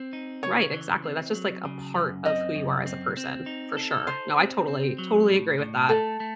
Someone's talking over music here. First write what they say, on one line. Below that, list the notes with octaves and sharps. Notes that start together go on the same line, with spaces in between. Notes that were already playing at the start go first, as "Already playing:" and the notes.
Right, exactly, that's just, like, a part of who you are as a person. For sure. No, I totally, totally agree with that.
Already playing: C4
D#4
C#3 C#5
E3
C4
F#3
C#3
F#2
C4 D#5
F#2
C4
C4
D#4
A4
D#4 C5
C4
C4
F#3
A2
A2
A3 A4
A3